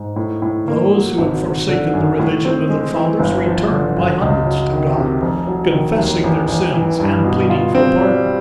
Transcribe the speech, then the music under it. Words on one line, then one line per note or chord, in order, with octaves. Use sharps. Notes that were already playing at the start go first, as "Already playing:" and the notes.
Those who had forsaken the religion of their fathers returned by hundreds to God, confessing their sins, and pleading for pardon.
Already playing: G#2
A2
A2
A#3
F#3
G#1
F#3
D3
F#2
A2
C4
G#3
E3
G1
F3
D3
F#2
C#2
F#3
D#3
C3
F1
F#3
D#3
D#2
A1
A1
E3
G2
B2
F4
C4
G3